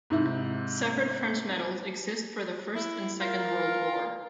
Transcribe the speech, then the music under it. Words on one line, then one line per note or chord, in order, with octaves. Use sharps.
Separate French medals exist for the First and Second World War.
G#2 C3 E4
E4
F4 A#4